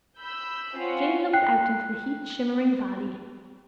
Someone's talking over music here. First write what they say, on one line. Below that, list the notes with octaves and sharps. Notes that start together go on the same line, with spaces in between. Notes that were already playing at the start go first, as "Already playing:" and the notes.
Jane looked out into the heat-shimmering valley.
B5 E6 G6
C4 C#4 F4 F5 F#5
G5 F#6 C7